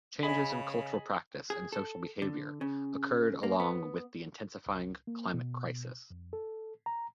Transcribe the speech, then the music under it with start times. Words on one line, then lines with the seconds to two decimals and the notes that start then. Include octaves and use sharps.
Changes in cultural practice and social behaviour occurred along with the intensifying climate crisis.
0.23 C#3 G#4 D#5 B5
1.50 G#4
1.72 A4
2.22 D3
2.61 C#3
3.43 A#3
3.60 B3
4.66 C2
5.07 A#3
5.34 B2
6.11 F2
6.33 A4
6.86 A#5